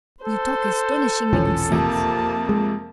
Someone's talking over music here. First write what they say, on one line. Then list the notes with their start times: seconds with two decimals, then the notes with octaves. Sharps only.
You talk astonishingly good sense.
0.24 A4 C5
1.33 E1 A#1 D3 E3 F3 C#4
1.72 F2 C3 A#3 A5
2.49 G#3